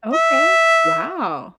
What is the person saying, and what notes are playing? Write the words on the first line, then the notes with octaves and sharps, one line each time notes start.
Okay. Wow.
E5